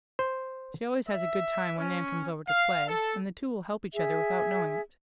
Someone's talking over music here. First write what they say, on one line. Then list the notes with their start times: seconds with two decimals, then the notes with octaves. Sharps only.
She always has a good time when Nan comes over to play, and the two will help each other without knowing it.
0.19 C5
1.08 E5
1.78 C#4
2.48 F5
2.87 A4
3.93 G#4 E5